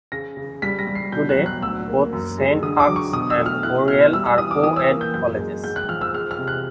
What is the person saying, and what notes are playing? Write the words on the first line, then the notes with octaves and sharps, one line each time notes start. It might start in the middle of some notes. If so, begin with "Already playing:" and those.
Today both Saint Hugh's and Oriel are co-ed colleges.
C#3 A#6
C#3
G3 B6
A#6
G3
C7
B2 G6
F#6
F#3
F#6
D2 E6
A#3
F#2
G#3
D3 D#6
D6
F#3
C#6
B2 D#6
E6
A3
F6
E4 F#6
B2 F6
G3 E6
E6
E3 D#6
D6
E3 D#6
E6
A#3
G6
F#2 G6
G#3
G#2 G6
F#6
F3 F6
E6
G#3 F6
F6
C3
F#6